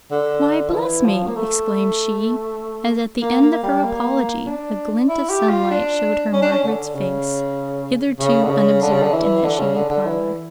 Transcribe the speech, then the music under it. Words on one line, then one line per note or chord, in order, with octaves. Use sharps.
'Why, bless me!' exclaimed she, as at the end of her apology, a glint of sunlight showed her Margaret's face, hitherto unobserved in that shady parlour.
D3
F3
E3
F3
A#3
A3
A#3
A#3
G3
A#3
D4
E4
G4
F4
D4
C#4
D4
C#4
D3
C#3
C#3
D3
C#3
D3
C#3
D3
E3
D3
C#3
D3
D3
E3